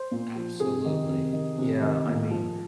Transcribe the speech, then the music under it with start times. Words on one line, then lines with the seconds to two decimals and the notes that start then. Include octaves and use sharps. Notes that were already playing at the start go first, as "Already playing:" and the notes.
Absolutely, y yeah, I mean,
Already playing: C5
0.11 A#2
0.36 F3
0.60 C3 G#4
0.85 D#3
1.09 C3
1.33 D#3
1.58 C3
1.82 D#3
2.06 A#2
2.31 F3